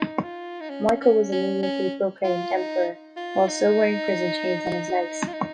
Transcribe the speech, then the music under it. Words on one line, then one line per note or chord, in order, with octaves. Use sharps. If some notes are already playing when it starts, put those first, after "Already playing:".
Michael was immediately proclaimed Emperor, while still wearing prison chains on his legs.
Already playing: D#4
F4
D#4
C#4
C#4
C#4
C#4
F4
D#4
F4
D#4
F4
D#4